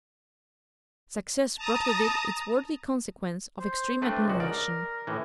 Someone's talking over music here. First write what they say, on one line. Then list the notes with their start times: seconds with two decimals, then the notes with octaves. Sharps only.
Success brought with it its worldly consequence of extreme admiration.
1.56 A5 A#5 D#6
3.60 C5
4.02 A3 C4 D4 B4
4.28 C#2 F#4 D#5
4.40 A#4 D5
5.07 A2 E3